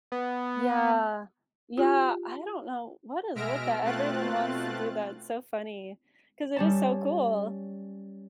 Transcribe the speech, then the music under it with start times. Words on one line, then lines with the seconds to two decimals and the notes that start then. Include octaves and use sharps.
Yeah. Yeah, I don't know what is with that, everyone wants to do that, it's so funny, 'cause it is so cool.
0.12 B3
1.78 F4 G4
3.35 B2 G#3 E5 F6 A#6 D7
3.82 B2 A3 C4 F4 F#6 A6
6.56 G3 C#4 A5